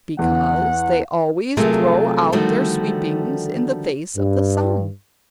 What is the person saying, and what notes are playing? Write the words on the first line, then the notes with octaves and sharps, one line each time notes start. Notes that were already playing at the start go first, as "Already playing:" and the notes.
'Because they always throw out their sweepings in the face of the sun.'
E2 F#5
C3 F#3 A3 A#3 F4 G#4
D3 D#3 F3 G3 A3 F#4
G2